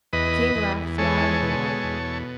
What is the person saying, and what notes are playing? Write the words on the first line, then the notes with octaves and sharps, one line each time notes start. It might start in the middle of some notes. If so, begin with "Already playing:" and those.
The king laughed loud and long.
E2 B4 D#5
E2
G#3 A4 C#5
B2
E2